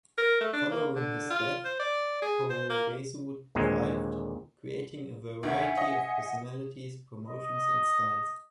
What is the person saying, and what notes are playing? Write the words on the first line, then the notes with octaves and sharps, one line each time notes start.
Following his death, Puroresu thrived, creating a variety of personalities, promotions and styles.
A#4
A3
D4
A#3
D3
F4
C5
D5
G#4
C5
A#3
D#2 A#2 D3 G#3 C4
D2 D#3 E5 F#5 G#5
D#5
D#5